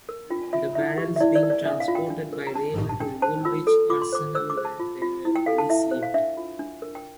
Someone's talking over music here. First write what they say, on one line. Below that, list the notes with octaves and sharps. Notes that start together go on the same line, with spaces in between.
The barrels being transported by rail to Woolwich Arsenal where they were re-sleeved.
A#4
F4 G5
F4 E5
E4 E5
G4
E5
E4 D5
D5
A#4
D5
D4 E5
F5
F4
G5
D4
A#4
A#5
D4 A5
G4
A5
D4 G5
C5 A5
F4 E6
A4
F4 D6
C6
C5 D6
C5 E6
D6
C5
A5
F4
F4
E4
G5
A4 F5
A5
E4 E5
C5
F5
D4 E5
F4
D4
A#4
G5